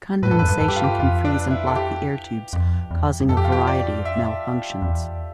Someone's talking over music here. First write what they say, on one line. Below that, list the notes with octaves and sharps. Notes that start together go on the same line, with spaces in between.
Condensation can freeze and block the air tubes causing a variety of malfunctions.
A2 B4
G2 A4
F2 B4
G2
G2 A4
G4
F4
G4
F2 F4
D4
E4
A4
G4
F2
E2
G2
F2 A4
G4
F4
G4
D5
E5
E2